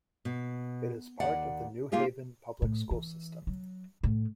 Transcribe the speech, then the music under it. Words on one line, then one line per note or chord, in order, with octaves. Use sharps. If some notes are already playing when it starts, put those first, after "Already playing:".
It is part of the New Haven public school system.
B2
D#2 D5 F#5
A#3 D#4 F4 G4 G#4
A2
E3
F#3
A2